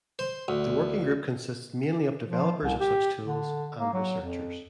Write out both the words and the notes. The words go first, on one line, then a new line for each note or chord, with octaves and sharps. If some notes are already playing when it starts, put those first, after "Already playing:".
The working group consists mainly of developers of such tools and researchers.
C5
D2
F3
C2
G4
D3
A#3
F#3
F2